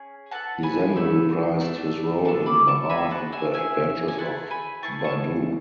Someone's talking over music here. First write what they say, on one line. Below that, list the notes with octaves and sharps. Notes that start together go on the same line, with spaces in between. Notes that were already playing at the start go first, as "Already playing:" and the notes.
He then reprised his role in "Babar and the Adventures of Badou".
Already playing: C#4 G#4
B3 F#4 A4 F#5 A5
G#5 B5
A3 E4 A4
A3 D4 A4
D4 A4 A5 C#6
B5 D6
A5 C#6
D4 F#4 A4 G#5 B5
F#5 A5
E5 G#5
C#4 E4 G#4 E5 G#5
G#5
A3 E4 G#4 F#5 A5
G#5 B5
B3 E4 G#4 A5 C#6
A5 C#6